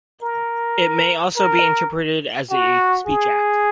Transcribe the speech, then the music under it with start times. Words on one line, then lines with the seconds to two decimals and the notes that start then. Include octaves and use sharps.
It may also be interpreted as a speech act.
0.23 A#4
1.37 A#4
2.51 F#4
3.07 G#4